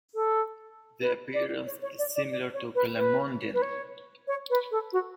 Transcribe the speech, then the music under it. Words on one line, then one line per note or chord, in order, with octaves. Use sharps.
The appearance is similar to Calamondin.
A4
B4
D5
C#5
C#5
D5
D5
D5
C#5
B4
B4
B4
C#5
C#5
B4
A4
F#4